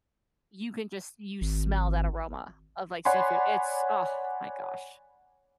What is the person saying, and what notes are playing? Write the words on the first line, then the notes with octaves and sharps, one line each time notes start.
you can just you smell that aroma of, like, seafood. It's, ah, my gosh.
G#1
C#5 D5 F#5 G#5 B5 C6